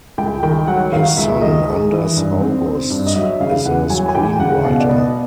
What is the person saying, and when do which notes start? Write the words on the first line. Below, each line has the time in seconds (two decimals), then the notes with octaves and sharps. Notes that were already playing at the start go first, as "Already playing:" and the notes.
His son Anders August is a screenwriter.
0.18 C#2 G5
0.43 D#3 G5
0.67 F#3 F#5
0.92 D#3 F5
1.17 C#2 E5
1.42 D#3 D#5
1.67 G#3
1.91 E3
2.16 G2
2.41 C4
2.66 C4
2.90 G2
3.06 D#5
3.16 F#3 E5
3.40 C#3 F5
3.65 E2 F#5
3.90 F#3 G#5
4.08 G#5
4.15 E2 G5
4.40 C#3 F#5
4.64 B2 F5
4.80 D5
4.89 B3 D#5